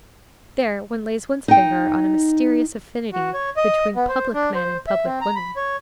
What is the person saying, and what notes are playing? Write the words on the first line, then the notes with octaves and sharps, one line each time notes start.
There one lays one's finger on a mysterious affinity between public men and public women.
D#4 G5
F#4
C#5
D#5
B3
C5
D4
C5
E5
C4
A#5
B5
C#5